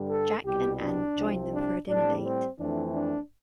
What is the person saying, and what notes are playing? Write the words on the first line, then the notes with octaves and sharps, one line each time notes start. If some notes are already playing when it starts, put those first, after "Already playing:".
Jack and Anne join them for a dinner date.
Already playing: G2 D3 G3
A4
C2 B2 G3 G4
D4
C2 C3 F3 C4
D4
A2 G3 C4 D4
C4
F2 E3 A3 C4 D4
D4